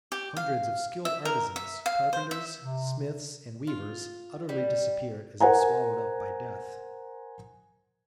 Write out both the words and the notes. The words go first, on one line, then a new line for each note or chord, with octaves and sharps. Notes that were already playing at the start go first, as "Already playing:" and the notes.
Hundreds of skilled artisans--carpenters, smiths, and weavers--utterly disappeared as if swallowed up by death.
G4
F5
E5
A#4
E5
F5
C5
E5
C3
F4
G3
A#4 C5 F#5 G#5 A#5